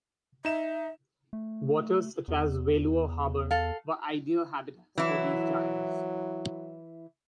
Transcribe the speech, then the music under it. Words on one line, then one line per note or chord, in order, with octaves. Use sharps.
Waters such as Wailuo Harbor were ideal habitats for these giants.
D#4 E5 E7
A3
E2
A4 F5
E3 F#3 E4